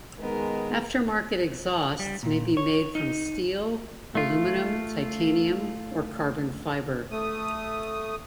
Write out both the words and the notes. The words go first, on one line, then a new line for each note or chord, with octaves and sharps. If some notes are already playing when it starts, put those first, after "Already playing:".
Aftermarket exhausts may be made from steel, aluminium, titanium, or carbon fiber.
D#3 G#3 B3 A#4
G3
A#2
C#5
D#4
A3 F4
A3 D#6